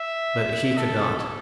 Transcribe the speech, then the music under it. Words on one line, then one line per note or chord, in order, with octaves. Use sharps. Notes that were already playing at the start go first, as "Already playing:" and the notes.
But he could not.
Already playing: E5
A4